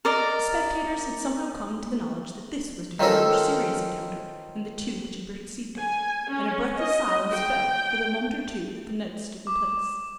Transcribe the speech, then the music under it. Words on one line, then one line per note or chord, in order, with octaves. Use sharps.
The spectators had somehow come to the knowledge that this was to be a more serious encounter than the two which had preceded it, and a breathless silence fell for the moment or two that the knights stood in place.
A#4 D5 D#5
D#3 F3 C#4 A4 A#4
G#5
C#4
D#5
G5
D6